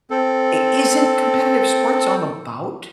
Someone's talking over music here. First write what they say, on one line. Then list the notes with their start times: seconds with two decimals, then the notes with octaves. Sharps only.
I Isn't competitive sports all about
0.11 C4 A4